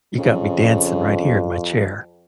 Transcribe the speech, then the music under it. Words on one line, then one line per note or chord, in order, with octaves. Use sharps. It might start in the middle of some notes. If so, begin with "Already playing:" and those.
you got me dancing right here in my chair.
F2 C#3